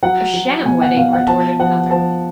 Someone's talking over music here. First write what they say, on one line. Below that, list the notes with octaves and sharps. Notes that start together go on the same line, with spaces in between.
"A sham wedding," retorted another.
F#3 F#5
F#3
B2 G#5
F#5
B2 F5
F#5
F3 A5
F3 F#5
F3 A5